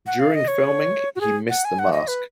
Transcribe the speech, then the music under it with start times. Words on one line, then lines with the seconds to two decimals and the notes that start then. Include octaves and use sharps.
During filming he missed the mask.
0.07 F#5
0.19 F5
0.34 D#5
0.48 C#5
1.16 F#4
1.21 G#4
1.50 F#5
1.65 G#5
1.79 F#5
1.93 D#5
2.08 B4